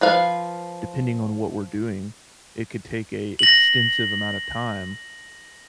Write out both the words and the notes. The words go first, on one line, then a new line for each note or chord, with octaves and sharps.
depending on what we're doing, it could take a extensive amount of time
F3 B4 F5
A#6 F#7